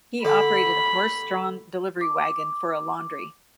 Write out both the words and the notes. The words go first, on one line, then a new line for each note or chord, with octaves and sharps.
He operated a horse-drawn delivery wagon for a laundry.
D3 B5
D6